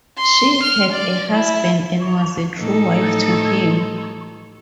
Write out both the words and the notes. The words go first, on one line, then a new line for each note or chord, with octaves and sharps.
She had a husband and was a true wife to him.
C6
F6
D5
E4
A2 D#4 A4